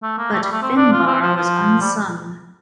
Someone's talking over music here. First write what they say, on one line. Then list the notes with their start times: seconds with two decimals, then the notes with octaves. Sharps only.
But Finbarr was unsung.
0.03 A3
0.18 A#3
0.32 A3
0.43 G3
0.52 A3
0.62 C4
0.77 D4
0.92 F4
1.07 C4
1.22 F3
1.37 F3
1.81 G3